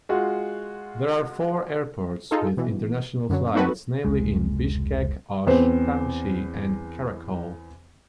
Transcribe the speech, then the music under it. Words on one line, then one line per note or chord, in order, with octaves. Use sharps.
There are four airports with international flights, namely in Bishkek, Osh, Tamchy and Karakol.
G#3 F4 F#4
D#4 F4 G#4 A4
B2 E3
F#2 D3 F#3
A#3 C4 D#4 F#4 A4 B4
F1 C#2 G#3
E2 C4 B4 C5